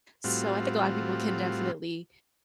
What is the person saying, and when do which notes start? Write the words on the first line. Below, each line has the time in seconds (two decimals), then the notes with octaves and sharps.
So I think a lotta people can definitely
0.24 A2 G3 C4 F4 F#4